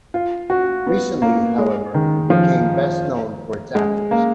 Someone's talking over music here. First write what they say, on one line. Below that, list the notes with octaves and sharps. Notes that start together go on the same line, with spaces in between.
Recently, however, it became best known for its apples.
F4
F#4
B3
A#3
G#3
D#3
F3
G#3
A#3